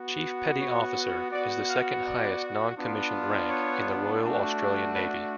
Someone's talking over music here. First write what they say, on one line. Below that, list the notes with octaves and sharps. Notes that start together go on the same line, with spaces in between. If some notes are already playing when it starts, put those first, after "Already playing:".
"Chief Petty Officer" is the second highest non-commissioned rank in the Royal Australian Navy.
Already playing: B3 F#4
C#5
B3 F#4 D5
F5
D5
B3 D4 F4
C#5
A3 D4 F#4
B4